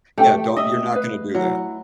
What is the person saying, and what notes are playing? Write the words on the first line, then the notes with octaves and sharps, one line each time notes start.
Yeah, don't you're not gonna do that.
A3 G4 G5
D#5 E5
B4 F5
F#3 E4